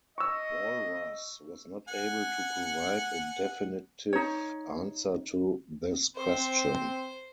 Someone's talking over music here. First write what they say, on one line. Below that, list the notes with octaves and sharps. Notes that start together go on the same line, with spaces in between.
Walras was not able to provide a definitive answer to this question.
D#5 C#6 E6
F#5 G#5
D#4 C#5
C4 C5